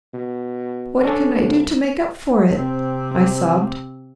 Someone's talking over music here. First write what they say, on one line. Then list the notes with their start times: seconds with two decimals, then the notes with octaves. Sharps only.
"What can I do to make up for it?" I sobbed.
0.14 B2
1.03 C#4 D4 A4
1.43 C2
2.52 C3 C4